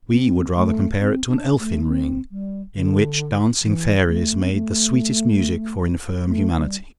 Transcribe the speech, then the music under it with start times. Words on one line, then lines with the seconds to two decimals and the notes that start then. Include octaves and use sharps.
We would rather compare it to an elfin ring, in which dancing fairies made the sweetest music for infirm humanity.
0.12 C4
0.56 A3
1.00 C4
1.28 D4
1.59 A3
1.88 C4
2.31 G3
2.75 D3
3.63 E3
4.07 A3
4.40 C4
4.52 A3
6.27 A3
6.56 G3